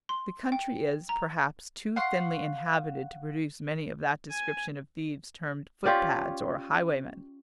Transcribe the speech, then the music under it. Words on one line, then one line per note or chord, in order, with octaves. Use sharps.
The country is, perhaps, too thinly inhabited to produce many of that description of thieves termed footpads, or highwaymen.
C6
G5
A#5
F5 F#5 C6 C#6
G#5
C#4 F4 G4 D5